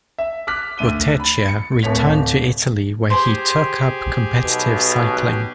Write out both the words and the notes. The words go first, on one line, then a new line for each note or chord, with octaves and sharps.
Bottecchia returned to Italy where he took up competitive cycling.
E5
D6 F6 F#6 B6
D2 D#7 G7
B5 A6
C#7
D1 A2 C#5 B6 F7
G4 G#4 C5 G#5
B1 B2